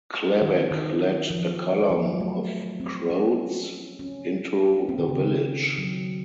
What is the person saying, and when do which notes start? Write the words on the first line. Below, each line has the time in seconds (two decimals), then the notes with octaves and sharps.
Klebeck led a column of Croats into the village.
0.41 D#3
0.71 D#3
1.30 F3
1.91 F3
2.06 F#3
2.20 A3
2.80 C4
3.10 C#4
3.99 C#4
4.89 C4
4.99 D#3
5.08 C#3
5.18 D#3
5.78 F#3